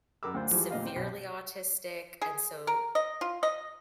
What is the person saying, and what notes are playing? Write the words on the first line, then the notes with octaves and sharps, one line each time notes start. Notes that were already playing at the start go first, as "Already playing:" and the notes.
severely autistic, and so,
F#2 A#4 B5 D6 E6
D2 F4 C5
E3 F3 G3 G#3
D2 A#2 D#5 F5
C4 G5
B1 B2
G#4
A#4
D#5
F4
D#5